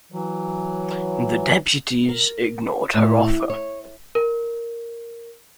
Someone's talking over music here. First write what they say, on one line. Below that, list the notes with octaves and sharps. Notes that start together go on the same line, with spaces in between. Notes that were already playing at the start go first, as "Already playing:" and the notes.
The deputies ignored her offer.
E3 F#3
A#4
A2
C#5
A#4